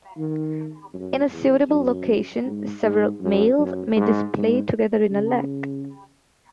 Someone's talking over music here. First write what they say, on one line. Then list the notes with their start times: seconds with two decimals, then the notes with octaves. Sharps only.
In a suitable location several males may display together in a lek.
0.18 D#3
0.94 F#2
1.32 E2
1.69 F#2
2.45 G#2
2.83 G#2
3.21 F#2
3.59 F#2
3.96 G#2
4.34 G#2
5.10 C#3